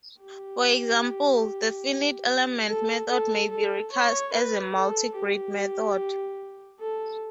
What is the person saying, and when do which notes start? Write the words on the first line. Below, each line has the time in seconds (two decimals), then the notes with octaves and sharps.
For example, the finite element method may be recast as a multigrid method.
0.21 G4
2.68 A4
3.09 A4
3.51 A4
3.92 C#5
4.33 B4
4.74 A4
5.15 G4
6.80 A4